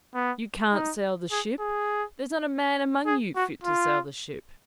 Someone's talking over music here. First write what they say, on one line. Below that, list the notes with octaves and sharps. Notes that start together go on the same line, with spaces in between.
You can't sail the ship--there's not a man among you fit to sail the ship.
B3
D#4
G#4
G#4
G#4
F#4
F4